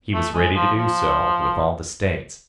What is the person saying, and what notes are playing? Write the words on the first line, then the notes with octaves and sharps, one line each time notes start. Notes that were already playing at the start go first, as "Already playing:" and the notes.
He was ready to do so with all the States.
A3
G#3
F3
F3